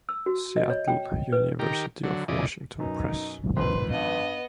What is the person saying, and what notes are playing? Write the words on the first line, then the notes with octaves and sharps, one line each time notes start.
Seattle: University of Washington Press.
E6
F#4
D#5
C#5
G5
B4
D#3 G4 A#4
D3 F#3
F2 C#3 E3 D5 D#5
F#2 B2 D#4
G#1 F2 B4 C5
G2 B3 D#5